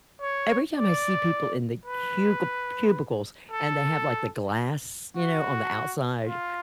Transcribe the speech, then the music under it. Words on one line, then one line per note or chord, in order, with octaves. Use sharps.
every time I see people in the cugil cubicles and they have, like, the glass, you know, on the outside,
C#5
D5
B4
A4
F#4
F4